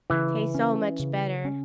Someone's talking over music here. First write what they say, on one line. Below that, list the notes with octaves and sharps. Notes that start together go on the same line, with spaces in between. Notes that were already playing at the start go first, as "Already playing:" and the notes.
Tastes so much better.
C#3 E3
C#4
C#3
C#4